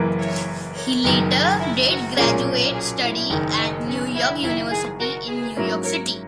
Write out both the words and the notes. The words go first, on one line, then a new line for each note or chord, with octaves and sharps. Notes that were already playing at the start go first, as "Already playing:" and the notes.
He later did graduate study at New York University in New York City.
Already playing: F#1 F#2 E3 A#3
C#5 E5
A#4 C#5
F#1 F#2 D#3 F#4 A#4
G#4
E4
F#4
B1 A#2 A#3 C#4 G#4
G#4
E4
F#1 F#2 D#3
D#4
C#4
E4
F#1 F#2 D#3 E4
G#4
F#4 A#4
G#4 B4
G#2 F#3 A#3 C#4 E4
A#4 C#5